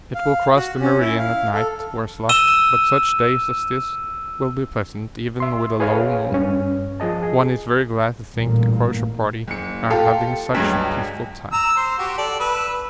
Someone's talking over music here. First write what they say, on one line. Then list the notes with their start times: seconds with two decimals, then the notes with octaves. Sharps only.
It will cross the meridian at night, worse luck, but such days as this will be pleasant even with a low moon; one is very glad to think the Crozier Party are having such a peaceful time.
0.15 F5
0.56 F#4
0.81 C#4
1.01 E4
1.19 F5
1.54 A4
2.29 E6 D#7 E7 G7
5.40 E5 C6
5.80 G#4 B4 C#5 F5 G#5
6.32 G2 C#4
7.00 F3 G#4 D#5 A5
7.23 G#4
8.37 A1 G2 A#2 A#3
9.48 F#1 C#7
9.90 F4 G4 A4 F5
10.54 C#2 G2 F#3 G#4
11.53 A#5 E6
11.77 C5
11.98 F#4 G4
12.18 A4 D5
12.40 B4 E6